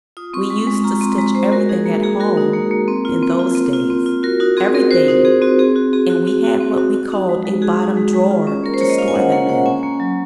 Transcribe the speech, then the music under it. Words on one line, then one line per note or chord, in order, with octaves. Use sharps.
We used to stitch everything at home in those days--everything; and we had what we called a "bottom drawer" to store them in.
F4 D#6
C4 C#6
G#3 C#6
G#3
F4 A#5
C4 C6
G#3 A#5
G#3 C5
F#4 A#4
D#4 G#4
A#3
A#3 G#4
F#4 A#4
D#4
A#3
A#3
C4
F4
C4
F4
C4
F4
C4
F4
F#4 A#4
D#4 F#4
C4 G#4
C4 A#4
F#4 C5
D#4
C4 G#4
C4 F#4
C4 G#4
F#4
C4 G#4
F#4
C4 F#4
F#4
C4
F#4
F#4
D#4
G#3
G#3
F#4 G#4
D#4
G#3
G#3
F4
C#4
A#3 A#4
C5
A#3 C#5
D#5
F4 F5
G#5
C#4 F#5
A#3 F#5
A#3 F#5
C#4 G#5
A#3
F#3